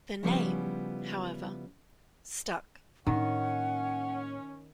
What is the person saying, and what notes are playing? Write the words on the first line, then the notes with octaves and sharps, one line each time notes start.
The name, however, stuck.
C#3 F3 G3 B3 C#4 E4
A2 D#3 A#3 C#4 F#5